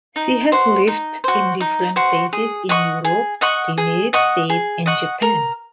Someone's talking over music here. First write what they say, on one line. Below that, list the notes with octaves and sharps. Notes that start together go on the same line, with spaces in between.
She has lived in different places in Europe, the United States and Japan.
D#4
F#4 C5
D#4
F#4 C5
D#4
F#4 C5
G#4
D#5 F#5 C#6
G#4
D#5 F#5 C#6
G#4
D#5 F#5 C#6
G#4
D#5 F#5 C#6
A#4